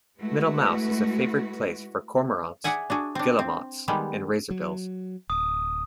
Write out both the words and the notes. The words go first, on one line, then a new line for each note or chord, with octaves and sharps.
Middle Mouse is a favoured place for cormorants, guillemots and razorbills.
G#3 A3 E4 F#4 B4
G#4 D5 E5 F#5 G#5
D4 F#4 G#4
C4 D4
C4
D#3 G3 G#3 B3
F#3
D1 D#6